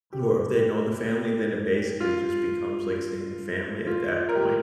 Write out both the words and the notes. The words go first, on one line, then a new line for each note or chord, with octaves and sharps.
or if they know the family, then it basically just becomes like extended family at that point.
G4
F4
F4
A#4
G4